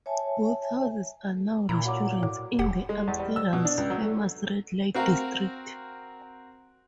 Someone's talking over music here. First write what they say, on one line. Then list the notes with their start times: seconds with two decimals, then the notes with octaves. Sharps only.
Both houses are now restaurants in Amsterdam's famous red light district.
0.06 C#5 E5 G#5 A5
1.69 A#2 E4 A#5
1.85 F#3 D6
2.23 A2
2.59 F1 G4 F#5
2.89 G#3
3.07 E2
3.20 G3
3.36 E6
3.53 B2
3.65 D4
3.78 C#2
3.90 F#3
4.02 A3
4.95 C4 F#4 A#4 F5